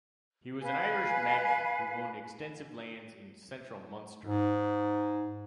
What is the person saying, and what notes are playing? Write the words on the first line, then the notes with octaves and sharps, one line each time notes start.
He was an Irish magnate who owned extensive lands in central Munster.
B4 F5 G#5
G#2